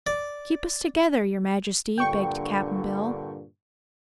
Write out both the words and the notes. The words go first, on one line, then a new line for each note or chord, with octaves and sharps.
"Keep us together, your Majesty," begged Cap'n Bill.
D5
G2 A#2 D3 G5 C#6